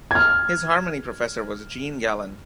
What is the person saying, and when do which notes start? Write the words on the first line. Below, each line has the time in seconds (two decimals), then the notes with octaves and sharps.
His harmony professor was Jean Gallon.
0.11 F6 G#6